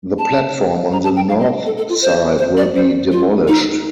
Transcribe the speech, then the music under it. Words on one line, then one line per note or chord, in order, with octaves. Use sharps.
The platform on the north side will be demolished.
A5
A#5
A5
G5
F5
D#5
A4
A4
F4
C5
C5
D5
C5
F4
D#4